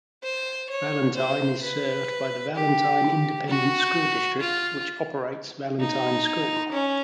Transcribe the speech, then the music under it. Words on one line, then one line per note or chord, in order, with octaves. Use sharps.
Valentine is served by the Valentine Independent School District which operates Valentine School.
C5
C#5
C5
B4
G4
F#4
F4
D#4
C#4